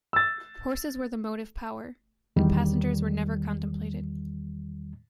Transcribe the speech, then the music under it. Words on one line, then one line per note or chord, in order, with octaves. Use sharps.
Horses were the motive power, and passengers were never contemplated.
E6 A6
E2 D#3 G3